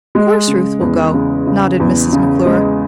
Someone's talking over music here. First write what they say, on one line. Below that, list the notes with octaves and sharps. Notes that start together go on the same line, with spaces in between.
"Of course Ruth will go," nodded Mrs. McClure.
G#3
C#3
E2
C#3
C#3
E2
C#3
G#3